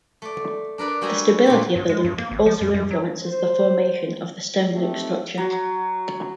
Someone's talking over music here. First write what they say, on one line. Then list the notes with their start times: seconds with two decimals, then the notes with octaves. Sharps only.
The stability of the loop also influences the formation of the stem-loop structure.
0.22 A3 D5
0.78 D4 A#4 B4 D5
1.01 G3 F#4 G#4 A4 G#5 A#5
1.46 A#2 D3 B3
1.76 G2
1.89 G#3
2.04 G2
2.18 A#3
2.31 G#1
2.46 F3
2.61 F#2
2.74 F#2
2.91 F#3
3.22 C5
4.74 D#3 A3 C4 G4
5.38 F#3